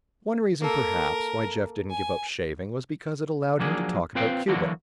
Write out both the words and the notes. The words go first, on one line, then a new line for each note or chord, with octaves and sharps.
One reason, perhaps, why Jeff didn't give up shaving was because it allowed him to talk about Cuba.
A#3 A4 A#4
G#5
F3 F#3 A#3 D4 G#4
C4 F4 B4 C5 F5 G5
D3 E3 F#3 A#3 D4 F#4